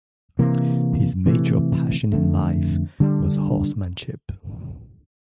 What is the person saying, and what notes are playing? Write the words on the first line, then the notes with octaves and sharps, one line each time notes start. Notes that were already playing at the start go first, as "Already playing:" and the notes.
His major passion in life was horsemanship.
C3 E3 A#3
C3 E3 A3
F2 D3 A3
D3 G3 D4